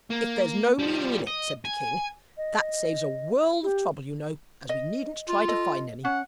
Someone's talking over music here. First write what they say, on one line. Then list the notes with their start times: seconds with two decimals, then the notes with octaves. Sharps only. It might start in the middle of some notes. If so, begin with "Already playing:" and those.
'If there's no meaning in it,' said the King, 'that saves a world of trouble, you know, as we needn't try to find any.
0.10 A#3
0.79 F3 G3
1.27 D#5
1.65 G#5
2.37 D#5
3.63 G4
4.69 D#5
5.29 F4
5.48 A4 D#5
6.05 C#4 F#5